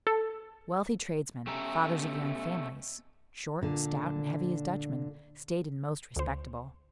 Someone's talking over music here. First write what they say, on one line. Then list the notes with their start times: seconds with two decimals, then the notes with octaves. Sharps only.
Wealthy tradesmen, fathers of young families, short, stout, and heavy as Dutchmen, staid and most respectable.
0.07 A4
1.47 B2 A3 C#4 G4 E5 A#5
3.61 A#2 D3
6.16 D2 C5